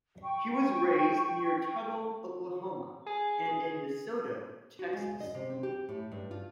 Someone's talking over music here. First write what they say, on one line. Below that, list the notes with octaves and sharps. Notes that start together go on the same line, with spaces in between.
He was raised near Tuttle, Oklahoma, and in DeSoto, Texas.
G5 C#6
G#4
F#4
G#3
D#5
C3
C4
G4
A2
G2
F4